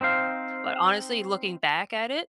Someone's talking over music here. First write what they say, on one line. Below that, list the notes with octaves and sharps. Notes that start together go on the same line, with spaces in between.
but honestly, looking back at it
C4 D#4 C5 F5